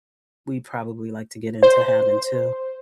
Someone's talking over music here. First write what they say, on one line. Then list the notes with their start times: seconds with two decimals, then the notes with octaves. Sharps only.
we'd probably like to get into having too.
1.63 C5